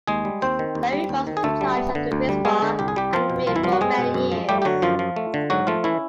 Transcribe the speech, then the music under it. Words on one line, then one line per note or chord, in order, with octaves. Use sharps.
Laurie Ross was in charge of the Ritz Bar and Grill for many years.
D#2 G#3 G#4
G3
D#2 C4 C5
D#3
D#2
G3
D#2
D#3
G#4
D2 A3 A4
G3
B3
D3
D2
G3
G#3 B3 G#4
D3
C2 G4
G#4
G3 G4
F3 C4 F4
B2
C2 F3 F4
E3 E4
F3 G3 F4
F#3 F#4
G#3 C4 G#4
B2
F#2
F3
G3 A3 G4
G4
D3 F#3 F#4
F#2 F3 F4
F3
A3
D3
G#2 F#3 F#4
F3 A3 F4
E3 C#4 E4